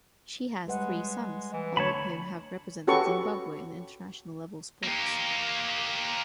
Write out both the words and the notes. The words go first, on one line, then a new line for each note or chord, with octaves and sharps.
She has three sons, all of whom have represented Zimbabwe in international-level sports.
G3 G#3 B4 F#5
E3
D3 A3 C#5 A5 B5
C#4 F#4 G4 A4 B4 C#6
A#3 G4